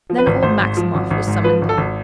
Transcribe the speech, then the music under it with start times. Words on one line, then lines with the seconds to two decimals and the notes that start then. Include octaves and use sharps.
Then old Maximov was summoned.
0.10 F3
0.18 B4
0.26 G#1
0.43 G#1 C5
0.60 G#2
0.77 F3
0.94 G#1
1.10 G#1
1.27 G#2
1.44 F3 B4
1.62 G#1
1.69 A4
1.77 G#1